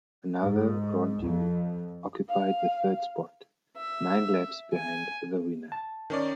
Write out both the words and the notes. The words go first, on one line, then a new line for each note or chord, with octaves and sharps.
Another Rondeau occupied the third spot, nine laps behind the winner.
G#2
F2
F5
E5
G#5
A5
D#3 C#4 D5